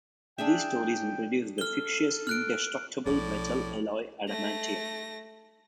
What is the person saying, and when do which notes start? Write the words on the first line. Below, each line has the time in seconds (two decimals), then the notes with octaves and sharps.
These stories introduced the fictitious indestructible metal alloy adamantium.
0.38 D4 G#4 E5 G5
1.58 A4 F6 G7
2.27 F6 F#6 D7
3.06 B1 A2 F3 D5
4.29 A3 A#6